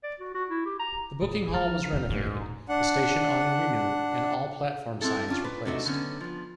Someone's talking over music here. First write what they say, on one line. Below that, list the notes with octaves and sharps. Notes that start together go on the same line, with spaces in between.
The booking hall was renovated, the station awning renewed, and all platform signs replaced.
D5
F#4
F#4
E4
G4
A#5
D1 G#4
F3 A#5 F6 A6
E1 E2
G#2 A3
D#1
D4 F#5
G3 G#3 C4 E4 A4
C#4 D4 F4
B4 C5
C3 F#3 A3 D4 D#4 F#4
D3 F#3 B3 C#4
F3 B3